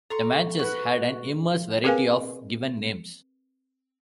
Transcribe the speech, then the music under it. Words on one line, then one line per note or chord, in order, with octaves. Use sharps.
The Manchus had an immense variety of given names.
A4 A#5 C6 C#6
F#4 B4
C4 G#4 A#4 B4 F5 G#5